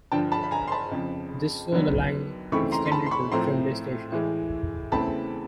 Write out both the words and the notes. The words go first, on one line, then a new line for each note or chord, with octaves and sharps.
This saw the line extended to Trimley station.
G2 D3 F3 G5 A5
A5 B5
B5
G#5 A#5
C6
A5 B5
F2 C#3 F3
D#2 D3 F#3 B3
D#2 C#3 E3 A3 C4 B5 C#6
A#5 C6
C6
A5 B5
C6
B5 C#6
A2 F3 A3 C4 A#5 C6
A2 E3 G#3
E2 C#3 E3 A3 C4 A5 B5